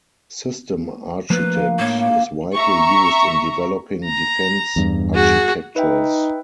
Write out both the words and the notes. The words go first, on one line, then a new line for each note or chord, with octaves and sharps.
System Architect is widely used in developing defense architectures.
F3 A3 A#3 D4 A#4 B4
F4
A2 A#3 C#5
A3 F4 F5
E5 A#5 C#6
A#5
E2 G2
F#4 G#4
D#4 B4 E5 G5